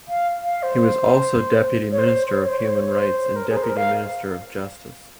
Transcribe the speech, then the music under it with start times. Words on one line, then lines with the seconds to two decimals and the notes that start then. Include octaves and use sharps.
He was also deputy minister of human rights and deputy minister of justice.
0.08 F5
0.44 F5
0.63 C5
1.92 C#5
1.99 C5
2.27 C5
2.38 C#5
2.48 C5
2.59 C#5
2.69 C5
2.79 C#5
2.91 C5
3.36 A#4
3.49 G#4
3.57 C5
3.63 A#4
3.77 F5